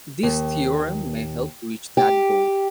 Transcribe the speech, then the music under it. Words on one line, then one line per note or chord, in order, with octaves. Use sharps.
This theorem may help reach that goal.
D#2
G4